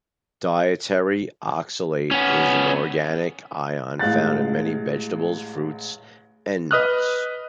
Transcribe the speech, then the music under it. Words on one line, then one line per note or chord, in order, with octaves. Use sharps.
Dietary oxalate is an organic ion found in many vegetables, fruits, and nuts.
B3 C#4
A1 G#3 F5 F#6 A6
B4 D#5 D#6 F6 F#6